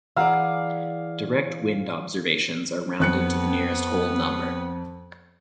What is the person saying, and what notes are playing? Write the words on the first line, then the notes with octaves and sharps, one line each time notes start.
Direct wind observations are rounded to the nearest whole number.
E3 G#4 D5 F5 F#5 A#5 E6
F2 B3 F#6 C#7